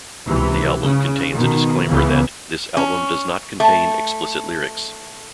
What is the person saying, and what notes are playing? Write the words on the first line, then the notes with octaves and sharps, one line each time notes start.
The album contains a disclaimer that 'This album does not contain explicit lyrics.
C#2 C3 E3
C#3
B2 D#3
C#2 C#3 E3 B3
C#4
A3